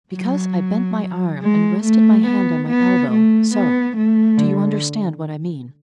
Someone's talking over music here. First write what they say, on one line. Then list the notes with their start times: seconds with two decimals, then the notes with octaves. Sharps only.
"Because I bent my arm and rested my hand on my elbow--so; do you understand what I mean?"
0.15 F#3
1.42 G#3
1.84 A3
2.27 B3
2.69 B3
3.11 A3
3.54 B3
3.96 A3
4.38 D3